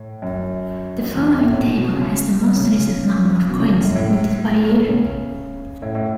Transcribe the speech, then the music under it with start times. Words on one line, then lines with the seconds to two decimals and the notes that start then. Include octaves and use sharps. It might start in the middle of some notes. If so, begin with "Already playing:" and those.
The following table has the most recent numbers of coins minted by year.
Already playing: A2
0.22 F#2
1.15 E2
1.39 A2
1.53 A2
1.62 B2
1.77 B2
1.93 C#3
2.55 C#3
2.79 C#3
3.48 B2
3.60 C#3
3.72 E2
3.84 F#2
3.95 A2
4.88 C#3
5.82 A2
5.95 A2